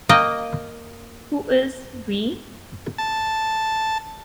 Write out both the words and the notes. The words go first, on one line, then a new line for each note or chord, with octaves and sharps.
Who is "we"?
A#3 D#5 G5
A5